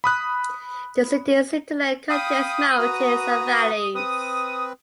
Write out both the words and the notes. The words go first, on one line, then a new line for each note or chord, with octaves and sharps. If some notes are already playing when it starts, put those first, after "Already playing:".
The city's hinterland contains mountains and valleys.
B5 D#6 F#6
F5 G5 B5 D#6
F#4 B4 A#5
C4 B4 D#6